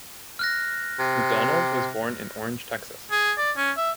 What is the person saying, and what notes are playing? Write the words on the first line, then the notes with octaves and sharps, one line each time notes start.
McDonald was born in Orange, Texas.
F6 F#6 A#6
C3
G#4
D5
C#4
E5